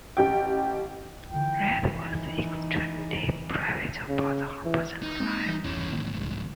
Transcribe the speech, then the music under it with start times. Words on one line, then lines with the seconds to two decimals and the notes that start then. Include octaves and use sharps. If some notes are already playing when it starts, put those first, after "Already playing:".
Ride was extremely private about her personal life.
0.17 A1 G4 G5
1.30 D3 E3 F4 G5
2.04 D#4
4.08 C#3
4.64 E3
5.03 D#4
5.20 G#3 A#3 C4
5.46 E3 G3
5.64 G1 E2 E3 C#4
5.92 D2 G#2 D#3 A#3
6.18 C2